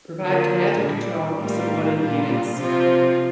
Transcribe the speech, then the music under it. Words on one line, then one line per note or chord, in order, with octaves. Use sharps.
Provide command and control of subordinate units.
D3 F3 A#3
A#2 G3 D4
A2 G3 A#3 F4
A#2 G3 D4 F4
C3 F3 C4 F4